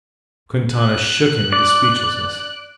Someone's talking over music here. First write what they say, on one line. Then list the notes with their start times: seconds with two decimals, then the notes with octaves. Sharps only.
Quintana shook him into speechlessness.
0.74 F#6
1.53 D5